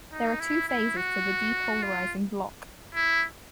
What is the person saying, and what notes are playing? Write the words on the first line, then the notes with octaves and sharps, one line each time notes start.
There are two phases to the depolarizing block.
D#4
E4
E4
F#4
F4
E4